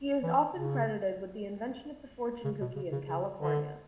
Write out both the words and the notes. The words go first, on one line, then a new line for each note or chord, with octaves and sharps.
He is often credited with the invention of the fortune cookie in California.
E3
C#3
C#3
B2
C#3
C#3
C#3
D3